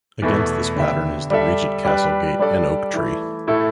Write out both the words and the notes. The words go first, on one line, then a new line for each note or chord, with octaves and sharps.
Against this pattern is the Reigate Castle Gate and oak tree.
E2 B2 A3 E4 B4
D3 B3 G4 E5
G3 D4 A4 E5
G3 D4 G4 B4
G3 D4 A4 D5
E3 A3 E4
A2 A3 E4 A4